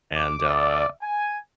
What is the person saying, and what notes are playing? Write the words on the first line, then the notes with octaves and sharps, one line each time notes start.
and, uh
D6
D5
G#5